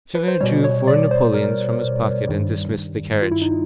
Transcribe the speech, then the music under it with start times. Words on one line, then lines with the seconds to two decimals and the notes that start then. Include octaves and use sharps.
Javert drew four napoleons from his pocket and dismissed the carriage.
0.15 B4
0.28 C5
0.41 B2 G3 C#5
0.64 C#5
0.88 D5
1.11 C5
1.34 A#4
2.28 G2 D#3 G3
3.22 F4
3.32 E4
3.42 D#4